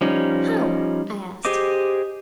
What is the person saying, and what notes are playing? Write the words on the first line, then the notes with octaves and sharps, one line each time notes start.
"How?" I asked.
F3 G3 C#4 D#4
G4 G#4 C5 D#5 D6